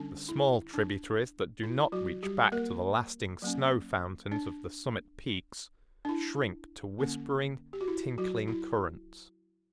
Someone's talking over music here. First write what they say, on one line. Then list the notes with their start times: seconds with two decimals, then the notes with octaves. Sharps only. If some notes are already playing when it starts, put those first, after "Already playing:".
The small tributaries that do not reach back to the lasting snow fountains of the summit peaks shrink to whispering, tinkling currents.
Already playing: D3 G3 C#4 D4
0.29 E4
0.74 D4
1.63 E4
1.92 F#3 F#4
2.23 G3 G4
2.52 A#3 A#4
3.42 F#3 A#3 C#4
4.32 D4
6.05 D4
6.09 E4
6.98 D3 A#3 C#4
7.73 G4
7.81 F#4
7.88 E4
8.18 F#3 F#4
8.48 E4